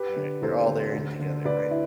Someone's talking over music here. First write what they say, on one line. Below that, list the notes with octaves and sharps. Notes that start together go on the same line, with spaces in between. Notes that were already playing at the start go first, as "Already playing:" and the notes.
ya you're all there in it together, right?
Already playing: G4 B4
D3
E2 A4 C5
D3
D2
D3
D2 B4 D5
E4